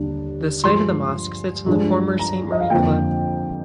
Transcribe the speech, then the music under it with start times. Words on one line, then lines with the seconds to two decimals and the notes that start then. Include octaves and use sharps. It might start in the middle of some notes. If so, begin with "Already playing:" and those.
The site of the mosque sits on the former Saint Marie Club.
Already playing: D#2 D3 G3 D4
0.64 G2 F3 G#3 C6
1.66 G2 F3 G#3 D4
2.19 A#5
2.52 D#5
2.61 F5
2.70 F2 D3 F3 A#3 G5